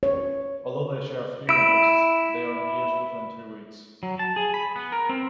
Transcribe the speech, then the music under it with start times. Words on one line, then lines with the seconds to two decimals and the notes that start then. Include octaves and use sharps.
Although they share few interests, they are engaged within two weeks.
0.03 C#5
1.49 E4 E6 D7
4.03 F#3
4.19 A5
4.36 G#4
4.54 B5
4.76 B3
4.92 A#4
5.09 C4